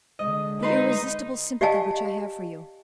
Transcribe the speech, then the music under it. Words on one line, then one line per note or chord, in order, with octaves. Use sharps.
"The irresistible sympathy which I have for you."
D3 G#3 D#5
D#4 B4 C6
G4 D5 D#5 F5 G#5 A5